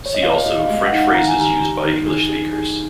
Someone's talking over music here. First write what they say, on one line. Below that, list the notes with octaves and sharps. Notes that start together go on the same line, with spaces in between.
See also French phrases used by English speakers.
C#5
D#5
A#2 F5
A#2 D#5
F5
G#3 D#5
F#5
D#4 F5
D#3 A#5
G#5
D#2 A#5
D#2
D#3
G#4
G#4
G#4